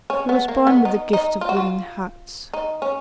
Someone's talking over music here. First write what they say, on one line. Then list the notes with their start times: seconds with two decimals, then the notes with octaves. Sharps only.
He was born with the gift of winning hearts.
0.10 C#4
0.29 B3
0.48 A#3
0.67 B3
0.85 D#4
1.13 D#4
1.41 F4
1.49 F#4
1.57 F4
2.53 D#4
2.82 C#4